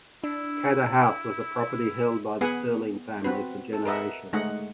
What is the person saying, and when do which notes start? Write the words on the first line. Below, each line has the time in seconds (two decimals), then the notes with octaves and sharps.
Cadder House was a property held by the Stirling family for generations.
0.24 D4 E4
2.41 B3 G#4 B4 F#5 G#5
3.24 C4 F#4 B4
3.73 A4
3.85 A#4 B4 D#5 E5 F#5
4.33 G#3 A3 D#4 D#5 F#5